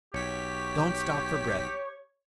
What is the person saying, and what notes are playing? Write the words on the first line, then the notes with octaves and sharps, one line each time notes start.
Don’t stop for breath.
B1 G4 C#5 B6